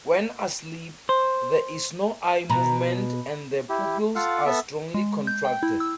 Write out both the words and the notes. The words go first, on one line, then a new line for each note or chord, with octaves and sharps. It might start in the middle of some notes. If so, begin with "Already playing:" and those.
When asleep, there is no eye movement and the pupils are strongly contracted.
C5
B2 A#5
E4 G4
F4 A4 F5 F#5
B3 A4 E5
G#3
G6
G5
E4
E6